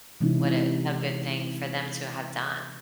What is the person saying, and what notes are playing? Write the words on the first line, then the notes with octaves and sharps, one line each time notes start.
What a a good thing for them to have done."
C3 E3 G#3 C#4 D#4 E4